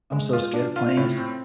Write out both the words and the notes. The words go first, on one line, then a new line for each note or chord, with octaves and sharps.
I'm so scared of planes.
G#3
F4
D4
F4
A2
C4